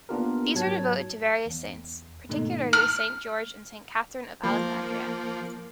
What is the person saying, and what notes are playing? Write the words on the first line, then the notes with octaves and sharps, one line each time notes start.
These were devoted to various saints, particularly Saint George and Saint Catherine of Alexandria.
A#3 B3 D4 F4 G4 A#4
G#2 F#3 A5 G#6
E2
G#2 B2 D#3 A3 A#3 D#4
F6
F3 A#3